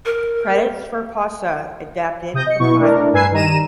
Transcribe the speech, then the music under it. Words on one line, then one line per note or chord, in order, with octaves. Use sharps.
Credits for "Pausa" adapted from Tidal.
A#4
C3 D#6 G6 A#6
D#5 C#7
B2 B3 E4 C#6
A3 D4 E4 A#4
G2 B4 G#5 E6 G#6 C7
D#3 G3 A#5 D#7 E7